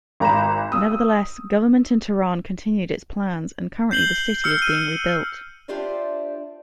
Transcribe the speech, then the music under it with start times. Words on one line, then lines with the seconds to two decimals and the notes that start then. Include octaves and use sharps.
Nevertheless, government in Tehran continued its plans and currently the city is being rebuilt.
0.20 G#1 A#5 B5 E7
0.72 D#6 E6
3.91 G6 C7 F#7 G7
4.44 E6 F6 C#7
4.62 D#7
5.68 D4 F4 G4 C5 D5 E5